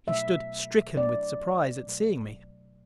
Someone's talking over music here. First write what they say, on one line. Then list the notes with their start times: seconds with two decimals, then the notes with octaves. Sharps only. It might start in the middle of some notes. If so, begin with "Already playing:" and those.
He stood stricken with surprise at seeing me.
0.07 B2 F#3 A3 E5
0.97 B2 F#3 A3 D5
1.87 B2 F#3 A3